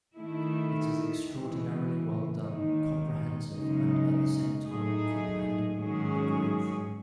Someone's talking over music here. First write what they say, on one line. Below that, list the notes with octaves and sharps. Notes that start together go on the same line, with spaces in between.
It is extraordinarily well done, comprehensive and at the same time comprehendible-a great thing.
D#3 A3 E4
C#3 E3 G#3
D#2 D#3 G#3 D#4
F#2 C#3 G#3 D#4
A2 F#3 A3 D#4 G#4
G#2 D#3 F#3 C#4 G#4